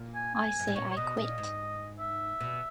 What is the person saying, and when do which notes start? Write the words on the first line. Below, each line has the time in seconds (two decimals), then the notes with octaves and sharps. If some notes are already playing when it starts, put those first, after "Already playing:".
I say I quit.
Already playing: A#2
0.15 G#5
0.35 G#5
0.59 F#2
0.67 G#2
0.76 A#2 C#5
0.91 C#5
0.97 B2 D#5
1.17 A#2 D#5
1.38 G#2
1.99 E5
2.40 B2